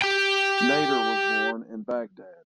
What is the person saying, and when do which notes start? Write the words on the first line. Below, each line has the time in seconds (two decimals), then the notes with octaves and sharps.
Nader was born in Baghdad.
0.02 G4 G5